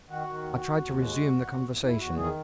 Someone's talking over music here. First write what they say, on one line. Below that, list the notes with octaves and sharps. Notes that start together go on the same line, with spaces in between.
I tried to resume the conversation.
D#3 F#4
D#3
D#2
D#2
D#2
G#3
E2
E2
E2
E2
E2 E4
E2 F#4
D#3 G#4